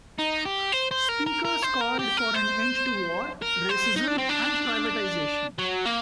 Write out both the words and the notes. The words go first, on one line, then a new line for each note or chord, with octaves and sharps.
Speakers called for an end to war, racism and privatisation.
D#4
G4
C5
C5
A#4
A#4
A#4
C5
A#4
G4
A#4
C5
A#4
C5
D#4
D4
C4
D4
F#3
A#3